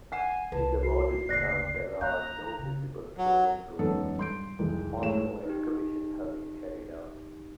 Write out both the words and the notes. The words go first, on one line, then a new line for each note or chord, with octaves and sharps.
In the modern town there are no visible Roman ruins, although excavations have been carried out.
F#5 G#5 C7 E7
C2 B4 A5
F#4 C7
F#1 D2 D5 F#6 A#6
D#2 F5 A#5 F#6 G6
C#3
F#3
E1 F#2 B3 D#4 A4
G2 C6 G6 D7
C2 F2 D#3 G#3
G#2 A3 E4 G#4 C#5 E7
D#4 G4